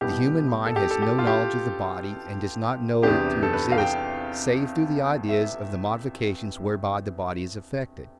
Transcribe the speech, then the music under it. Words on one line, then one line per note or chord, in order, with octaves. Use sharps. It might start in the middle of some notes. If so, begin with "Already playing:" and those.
The human mind has no knowledge of the body, and does not know it to exist, save through the ideas of the modifications whereby the body is affected.
C2 B2 G3 B3 G4
A4
G4
A4
G4
F4
G4
E2 C3 E3 B3 D4 G4
A4
B4
F5
G5
E5